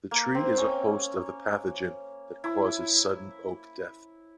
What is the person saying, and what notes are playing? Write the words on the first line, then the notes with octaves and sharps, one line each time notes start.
The tree is a host of the pathogen that causes sudden oak death.
A#3
C4
C#4
E4